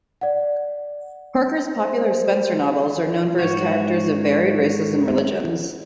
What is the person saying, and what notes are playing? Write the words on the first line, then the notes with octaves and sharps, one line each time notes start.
Parker's popular Spenser novels are known for his characters of varied races and religions.
D5 F#5
C5
G#2 F#4 C#5